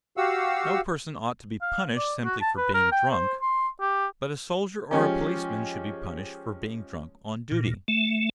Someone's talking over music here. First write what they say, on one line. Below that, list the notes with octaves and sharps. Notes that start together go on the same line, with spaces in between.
No person ought to be punished simply for being drunk; but a soldier or a policeman should be punished for being drunk on duty.
F#4 G4 F5 F#5 E6
F5
D5
F#4
A5
B4
A#4
G5
C5
C6
G4
F3 G#3 C#4 G4
A#2
A3